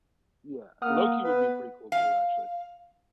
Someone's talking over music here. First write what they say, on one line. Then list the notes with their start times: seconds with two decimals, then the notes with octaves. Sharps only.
Yeah, Loki would be pretty cool too, actually.
0.82 A#3 F#5 D#6 F6
1.25 B3 B4
1.92 F5